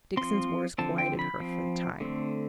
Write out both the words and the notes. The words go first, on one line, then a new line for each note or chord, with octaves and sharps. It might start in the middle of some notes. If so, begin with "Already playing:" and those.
Dixon's words quieted her for the time.
F3 C4 C6
D3 F3 C4 A5
G5
B5
F3 C4
D3 A3 C4